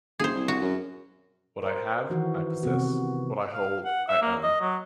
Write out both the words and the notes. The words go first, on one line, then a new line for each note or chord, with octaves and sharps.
What I have, I possess; what I hold, I own.
F#1 G#4 C5
C2
F#4
F#2
A#4 C5
D#3 E3 F#4
C3 B3 F#4
F5
F#5
E5
A#3
D#5
F#3